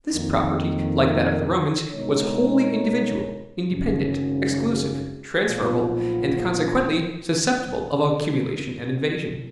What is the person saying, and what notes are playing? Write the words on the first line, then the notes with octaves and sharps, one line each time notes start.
This property, like that of the Romans, was wholly individual, independent, exclusive, transferable, and consequently susceptible of accumulation and invasion.
F2 D#3 A#3
B2 G#3 D#4 A#4 C#5
G#1 F#2 C#3
B1 A#2 F3 B3 F4